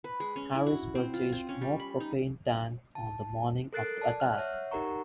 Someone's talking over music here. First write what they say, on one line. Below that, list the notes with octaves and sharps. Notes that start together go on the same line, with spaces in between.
Harris purchased more propane tanks on the morning of the attack.
B4
G#3
C#4
E4
F#4
C4
F4
C4
C#4
G3
B5
D#4
A5
A4 A#4 F#6 A6 C7 D7
D5 A5
F6 F#6
C#5 E5 F#5
D#4 G4 A#4 F#5 A#5 C#6